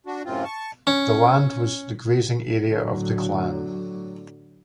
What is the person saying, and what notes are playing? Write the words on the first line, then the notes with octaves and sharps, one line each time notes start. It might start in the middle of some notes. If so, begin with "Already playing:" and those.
The land was the grazing area of the clan.
D4 F#4
F#2 A2 C3 C4 F4
A5 C#6
C#4
A2 D3 F#3